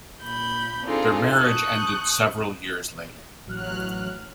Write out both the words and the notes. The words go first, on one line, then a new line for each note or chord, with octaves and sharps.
Their marriage ended several years later.
A#2 B5 G6
C4 D4 D#4 F4 G#4 A4
A5 C#6 D#6 F#6 G6
A1 F#3 F6 F#6